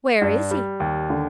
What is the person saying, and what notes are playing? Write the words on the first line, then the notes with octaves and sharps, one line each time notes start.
"Where is he?"
G2
G3
D#2
D3